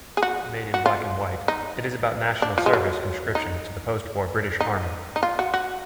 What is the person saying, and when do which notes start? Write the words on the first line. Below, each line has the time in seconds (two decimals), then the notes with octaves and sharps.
Made in black-and-white, it is about National Service conscription to the post-war British Army.
0.17 G#4
0.23 F#4
0.74 F#4
0.86 F4
1.48 D#4
2.42 D4
2.58 F3
2.66 G#3
2.73 F#3
3.35 D#4
4.60 D#4
5.16 D#4
5.23 F4
5.39 F#4
5.54 F#4